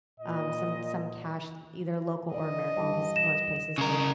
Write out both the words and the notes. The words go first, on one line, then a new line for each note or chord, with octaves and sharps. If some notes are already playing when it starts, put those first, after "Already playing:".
um, some some cash, l either local or American, 'cause most places take
A#2 D#5
E3 D5 D#5
G2 E3
A#6 E7
C#3 G#3 A#4